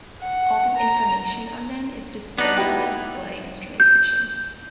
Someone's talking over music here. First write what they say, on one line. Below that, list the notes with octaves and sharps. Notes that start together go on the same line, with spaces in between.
All the information on them is displayed on the display instrumentation.
F#5
A#5
B3 D4 D#4 F#6
E4 F#4 G4
G6